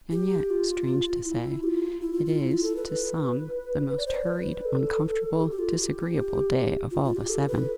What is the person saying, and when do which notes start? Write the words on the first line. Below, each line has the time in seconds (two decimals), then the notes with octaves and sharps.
And yet, strange to say, it is, to some, the most hurried, uncomfortable, disagreeable day of all the seven.
0.12 G4
0.50 F4
1.26 E4
1.63 G4
1.67 F4
2.01 E4
2.13 F4
2.26 F4
2.39 E4
2.52 F4
2.63 A4
2.76 B4
3.98 D5
4.06 C5
4.15 D5
4.27 B4
4.65 A4
5.41 G4
5.51 G4
5.59 F4
5.78 G4
6.91 F4
7.04 F4
7.16 G4
7.29 A4
7.47 B4